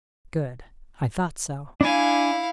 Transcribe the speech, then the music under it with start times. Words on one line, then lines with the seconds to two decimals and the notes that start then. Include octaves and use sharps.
Good, I thought so.
1.81 D4 E4 F5 G#5